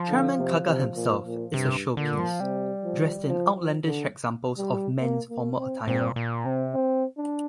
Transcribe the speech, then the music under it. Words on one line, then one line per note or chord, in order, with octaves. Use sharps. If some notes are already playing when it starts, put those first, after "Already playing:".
Chairman Kaga himself is a showpiece, dressed in outlandish examples of men's formal attire.
Already playing: F3
D3
C3
C3
A#2
A#2
G2 C3
A#2 D3
F3
C3 G3
F3
F3
F3
D3
G3
A#3
A#3
C4
A#2 C4
A#2
C3 C4
C4
D4